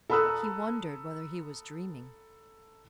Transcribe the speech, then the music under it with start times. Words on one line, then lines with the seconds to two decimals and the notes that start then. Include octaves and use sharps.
He wondered whether he was dreaming.
0.09 A4 A#5 B5 D#6 E6 F#6